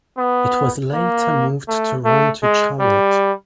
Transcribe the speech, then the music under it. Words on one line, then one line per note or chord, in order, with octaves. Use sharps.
It was later moved to run to Charlotte.
B3
A#3
A3
A3
G#3
G3